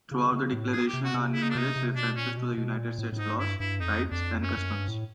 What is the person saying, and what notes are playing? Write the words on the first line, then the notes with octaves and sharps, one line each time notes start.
Throughout the declaration are numerous references to the United States laws, rights, and customs.
C#3
C#3
A2
G#4
G4
C3
F#4
C3
C#3 E4
D#4
D4
C3 D#4
C3
B2 D4
A#2 C#4
B2
B2
A#2
A2
A2
G#2 D#4
G2 E4
G2 E4
F2 D#4
F2 D4
F#2 C#4
F#2
G2
A2